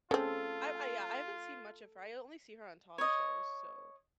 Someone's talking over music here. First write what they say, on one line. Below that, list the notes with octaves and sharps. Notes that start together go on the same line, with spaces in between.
I I yeah, I haven't seen much of her, I only see her on talk shows, so,
C#3 C4 F4 A4
C#5 D#5